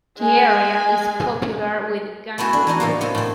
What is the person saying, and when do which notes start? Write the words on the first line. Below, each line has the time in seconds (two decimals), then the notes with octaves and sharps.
The area is popular with gongoozlers.
0.19 G#3 G#5
2.38 A3 B3 E4 F#4 G#4
2.53 D4
2.67 E3 D4 D#4 F#4
2.80 A2 C3 A#3
3.01 C3 B3
3.15 A2 C4